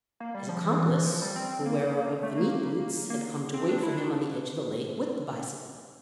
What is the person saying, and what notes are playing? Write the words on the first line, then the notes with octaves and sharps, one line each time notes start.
His accomplice, the wearer of the neat boots, had come to wait for him on the edge of the lake with the bicycle.
A#3
G3
F3
E3
E3
E3
F3
G3
C4
A#3
A3
A#3
A#3
C4
D4
E4
D4